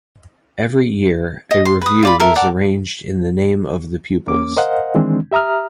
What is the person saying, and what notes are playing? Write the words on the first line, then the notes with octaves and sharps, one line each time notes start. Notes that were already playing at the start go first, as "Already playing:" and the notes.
Every year, a revue was arranged in the name of the pupils.
D#5
C6
B4 D#6
F4 D5 B5
A4 A#4 E5
A4 A#4 D5 F#5
E2 A#3 C#4 D6
A#4 C5 D#5 F5 F#5
D#3 E3 G#3 C4 D4
G4 E5 A#5 D#6 F6